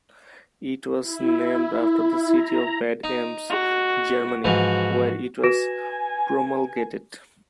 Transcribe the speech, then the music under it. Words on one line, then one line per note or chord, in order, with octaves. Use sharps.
It was named after the city of Bad Ems, Germany, where it was promulgated.
E4
A#5
D#4
F#4
G#2 E3 F3 F#4
F#4 B4 G#5 A#6 E7